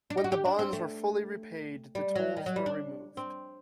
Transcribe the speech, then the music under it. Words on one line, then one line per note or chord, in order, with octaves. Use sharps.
When the bonds were fully repaid, the tolls were removed.
D4
D#4
F#4
G4
D4
C4
A3
G3
F#3
D#3
F#3
G3
D4
C4